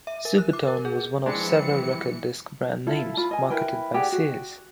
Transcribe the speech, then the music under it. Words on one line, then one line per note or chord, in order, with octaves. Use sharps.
Supertone was one of several record disc brand names marketed by Sears.
E5
A#4
F#6
D6
A#4
G#4
E3 F3 G3 G#3 C4 D4 B4 C#7
E4 F4 A4 A5
F4 B5
D#5 G#5
E4 A#4 B4 G5
G4 G#4 D5 F#5
F#4